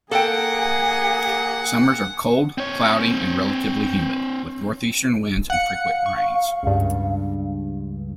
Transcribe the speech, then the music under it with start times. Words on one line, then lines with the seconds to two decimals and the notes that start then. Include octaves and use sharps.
Summers are cold, cloudy and relatively humid, with northeastern winds and frequent rains.
0.11 A#3 G#4 A4 F#5 G5
2.58 C4 C#5
5.50 F5 F#5 C#7
6.06 C#6
6.63 C#2 G2